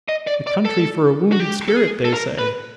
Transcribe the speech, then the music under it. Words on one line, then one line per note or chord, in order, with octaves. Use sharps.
The country for a wounded spirit, they say.'
D#5
D5
D5
A4
F#4
G4
A4
G#4
A4
A#4
B4